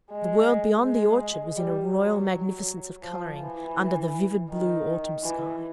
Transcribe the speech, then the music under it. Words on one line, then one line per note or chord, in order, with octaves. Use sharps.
The world beyond the orchard was in a royal magnificence of colouring, under the vivid blue autumn sky.
G#3
G#3
G3
F#3
F3
E3
D#3
E3